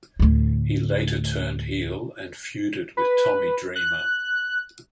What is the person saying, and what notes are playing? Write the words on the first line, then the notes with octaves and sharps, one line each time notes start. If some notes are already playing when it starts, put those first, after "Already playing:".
He later turned heel and feuded with Tommy Dreamer.
D2 A2
B4
F#6